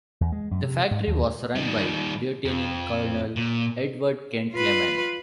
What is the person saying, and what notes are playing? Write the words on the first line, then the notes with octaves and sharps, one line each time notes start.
The factory was run by lieutenant colonel Edward Kent-Lemon.
E2
G#3
F#2
C3
G#2
D#2
D#3 G3
F2
A#2
F4 B4